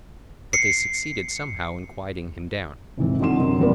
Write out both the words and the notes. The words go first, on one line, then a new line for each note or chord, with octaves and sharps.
But they succeeded somehow in quieting him down.
C7 C#7
F1 G#2 E3 C4
D3 F#3 D#4 C6 E7
F#2 C3
E2 A#2 G3 A#4 B4 D5